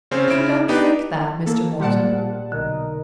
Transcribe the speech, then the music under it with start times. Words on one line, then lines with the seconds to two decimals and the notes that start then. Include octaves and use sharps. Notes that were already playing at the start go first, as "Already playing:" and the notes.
"You don't think that, Mr. Morton."
0.11 C#3 C4 C#4 C5
0.28 C#3 C#4 E4 D7 E7
0.69 B3 D4 D#4 G4 B4
1.46 A#3 A4
1.80 A#1 A#2 G3 D5 F#5 A5 C6
2.52 B1 D3 D#4 A#4 D#5